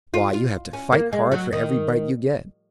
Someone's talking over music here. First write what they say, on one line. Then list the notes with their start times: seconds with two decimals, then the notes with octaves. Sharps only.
Why, you have to fight hard for every bite you get.
0.14 F4
0.33 F4
0.73 C#4
0.92 A#3
1.13 G#3
1.32 F#3
1.53 D#3